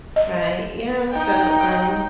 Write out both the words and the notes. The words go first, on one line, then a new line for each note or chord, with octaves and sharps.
Right, yeah, so, um,
D#5
D#4 G5